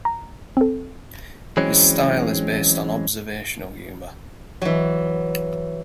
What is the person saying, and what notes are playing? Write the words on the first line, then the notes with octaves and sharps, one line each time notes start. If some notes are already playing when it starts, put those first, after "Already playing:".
His style is based on observational humour.
A#5
C4 A4
E3 F#3 G#3 C4 C#4
E3 F#3